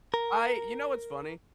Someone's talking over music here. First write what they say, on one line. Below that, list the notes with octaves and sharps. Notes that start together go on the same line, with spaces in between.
I you know what's funny?
A#4